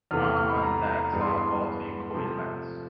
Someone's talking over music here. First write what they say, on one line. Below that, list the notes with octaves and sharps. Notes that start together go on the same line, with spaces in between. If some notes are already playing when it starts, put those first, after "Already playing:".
Arm and legs are about equal in length.
E2 C3 E3 A3 F6
F6
F6
B5
A#5
A#5
G2 E3 G#3 B3 B5
C6
B5
C6
C3 F3 A3